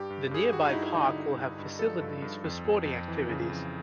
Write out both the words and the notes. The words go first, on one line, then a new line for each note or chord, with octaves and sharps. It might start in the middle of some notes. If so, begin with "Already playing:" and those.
The nearby park will have facilities for sporting activities.
Already playing: G2 G4
G2
G2 G#4
G4
G2 F#4
D#4
G2 E4
D3 D#4
G2
G2
G2
F3 A4
G2
G2
F2
F2
F2
E3
C#3
F2